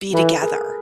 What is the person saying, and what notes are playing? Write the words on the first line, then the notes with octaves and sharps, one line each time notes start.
be together,
E3 A4 B4
G#4 A#4